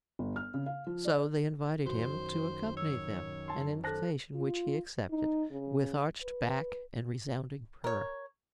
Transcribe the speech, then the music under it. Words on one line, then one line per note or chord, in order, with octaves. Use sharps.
So they invited him to accompany them, an invitation which he accepted with arched back and resounding purr.
G1
F6
C#3
F5
F3
D5
F#2 D#3 F#4 C5
C#5 E6
A5 C6
A4 C5 A5 F#6 A#6
F4
D#4
C#3
B4
A#4 C#5